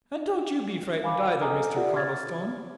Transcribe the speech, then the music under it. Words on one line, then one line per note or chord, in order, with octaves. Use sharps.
And don't you be frightened, either, Mr. Cardlestone.
F5 G#5 B5 D6
A4 D#5 G#5 A#5 D#6 F6
F4 G4 D5 E5 F#5
F6 G#6 A6